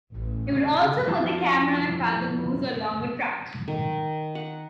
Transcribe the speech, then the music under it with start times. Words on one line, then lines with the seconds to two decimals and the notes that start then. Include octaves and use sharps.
He would also put the camera on a cart that moves along a track.
0.14 A1
0.53 C#3
1.07 F2 E4 F4 A5
3.68 D#3
4.35 F#5